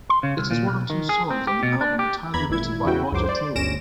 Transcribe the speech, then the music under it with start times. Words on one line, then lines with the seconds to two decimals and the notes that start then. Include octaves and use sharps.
It is one of two songs on the album entirely written by Roger Taylor.
0.10 C6
0.23 C#3
0.38 C2
0.51 A#2
0.67 B1
0.90 D#3
1.09 G#4
1.31 C4
1.47 G4
1.63 B2
1.81 D4
1.99 G4
2.34 E2 A#5 B5 G#6
2.50 G#1 A#2 E4 G#6
2.85 E2 C#3 E4 F#4 G5
3.12 C#2 F#2 F#3 C5 D6
3.26 C5 D5
3.55 G1 D2 C#4 A#6 D7 E7